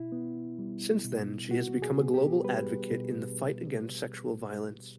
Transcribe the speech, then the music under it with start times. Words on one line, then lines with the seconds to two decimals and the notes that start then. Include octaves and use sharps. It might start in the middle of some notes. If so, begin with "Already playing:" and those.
Since then, she has become a global advocate in the fight against sexual violence.
Already playing: B2 E4
0.12 B3
0.59 G3
1.05 B2
1.51 B2 F#4
1.82 G#4
1.98 B3
2.14 G4
2.44 G3 B4
2.91 B2